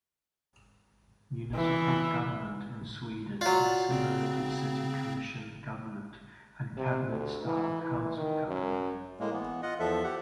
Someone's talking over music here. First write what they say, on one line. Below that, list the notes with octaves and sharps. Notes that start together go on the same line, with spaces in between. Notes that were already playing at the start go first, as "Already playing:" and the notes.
Municipal government in Sweden is similar to city commission government and cabinet-style council government.
E3
F#3 F4 D5
C#3 C4
C3
D2
E3
E3
D#3
F#2
A2 G#3 A#3
E3 B3
F4 D#5 F#5
E2 F3 A4 E5
G4 F#5